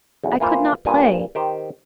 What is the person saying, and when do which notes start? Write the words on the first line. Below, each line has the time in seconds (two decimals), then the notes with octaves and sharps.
I could not play.
0.24 B1 E2
0.40 E3 A#3 F4 C5
0.86 G2 A#2 G#5
1.35 D#3 G4 C5